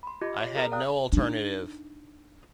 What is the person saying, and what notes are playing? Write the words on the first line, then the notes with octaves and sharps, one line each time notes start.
I had no alternative.
B5 C6
F4 G4 D#5 D6
C#5
G#4 A#4 A#5 F6
D5 F5 G5 A#5 D#6 F#6
D4 D#4